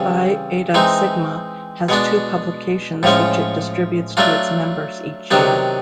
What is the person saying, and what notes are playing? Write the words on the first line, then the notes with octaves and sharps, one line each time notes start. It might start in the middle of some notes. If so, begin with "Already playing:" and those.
Phi Eta Sigma has two publications which it distributes to its members each year.
Already playing: C#3 E3 G3 C4
E3 G#3 C4 D#4
B2 G#3 B3 D4
A2 F3 G#3 C#4
F#3 A3 D4 F4
C3 D#3 F#3 B3 D4